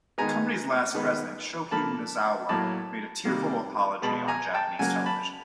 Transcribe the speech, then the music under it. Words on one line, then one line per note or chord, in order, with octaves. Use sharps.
The company's last president, Shohei Nozawa made a tearful public apology on Japanese television.
D#3 G#3 B3 G#5 A#5
D#3 G#3 B3
D3 F3 A#3 A5 B5
A2 F#3 A#3 A5 B5
C3 D#3 G3 A#3
B2 G#3 B3 A5 B5
G#5 A#5
G5 A5
C#3 F#3 A#3 F#5 G#5
A5 B5